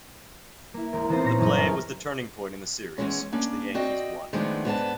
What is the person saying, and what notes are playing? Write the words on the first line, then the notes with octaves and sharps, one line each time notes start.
The play was the turning point in the series, which the Yankees won.
A#3 E4
E1 A#4 D7
E3 B3 C4 D#4 F4 C5
A#2 C#5 A#5 A#6
G1 F#2 E3 C#4 D#6
A#4 G#5 A5 F6
E2 G2 E3 G#3 C#4
A#3 C#4 D4
C4 F#4 D5 D#5 G5
D#3 F3 G#3 A3 B3 D4
G#2 B3 D4 A5